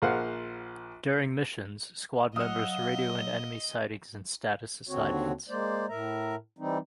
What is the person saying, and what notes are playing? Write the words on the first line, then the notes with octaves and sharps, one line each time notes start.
During missions, squad members radio in enemy sightings and status assessments.
A#1 G#4 A#4 C5 F5 F#5
F#3 D#5 F5 F#5 D#6 E6
D#2 D3 C4 F#4 C#5
G#3 A#3 C5 D5
A2 A#4 E5 A#5
E3 G3 C4 D#4